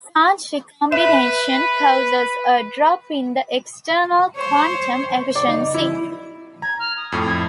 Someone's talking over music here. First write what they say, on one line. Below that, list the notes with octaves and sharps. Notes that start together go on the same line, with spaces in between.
Charge recombination causes a drop in the external quantum efficiency.
B4 E5
C5 C#5
D5
D#4
E4
A#5 G#6
F6
D#6
F2 A2
G#6